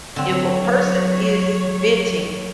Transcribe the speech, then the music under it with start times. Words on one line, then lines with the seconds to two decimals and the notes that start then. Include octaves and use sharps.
If a person is venting,
0.16 D3 F#3 C4 C#5